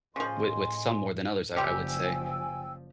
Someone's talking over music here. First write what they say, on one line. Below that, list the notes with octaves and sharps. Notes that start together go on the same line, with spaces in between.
with with some more than others, I I would say.
A2 C#3 F3 D#5 G#5 C6
F#1 F3 G3 F4 G4 G5 G#5 E6